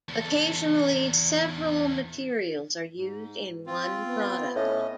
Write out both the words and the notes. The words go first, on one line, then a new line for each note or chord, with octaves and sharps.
Occasionally several materials are used in one product.
E2 A4
G#2
C4 F4
B3
A2 C#4 D#5